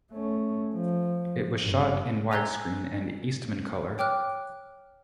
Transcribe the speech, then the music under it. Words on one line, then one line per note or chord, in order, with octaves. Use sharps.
It was shot in widescreen and Eastmancolor.
A3 C#4
F3
G1 G2
G#5 A#5 E6 F#6 G#6 G7
C#5 G5 D6 F6 F#6